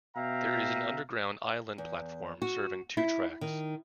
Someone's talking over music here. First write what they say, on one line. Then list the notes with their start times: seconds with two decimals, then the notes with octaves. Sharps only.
There is an underground island platform serving two tracks.
0.15 B2 E5 F5 G5 A#5
1.78 E2
2.42 F#4
2.97 E4
3.41 D#3